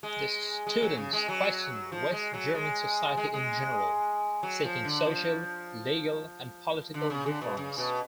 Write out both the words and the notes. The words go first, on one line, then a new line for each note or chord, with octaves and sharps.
The students questioned West German society in general, seeking social, legal, and political reforms.
G#3
G#3
F#3
C#3
G#3
F#3
F3
G#3
F#3
G#3
G#3
G#3
F#3
F3
D3
F3
D3
C#3
D3
B2
C#3
B2